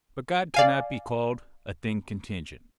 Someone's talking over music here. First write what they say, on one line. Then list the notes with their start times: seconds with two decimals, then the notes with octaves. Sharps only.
But God cannot be called a thing contingent.
0.54 D5 F5 G#5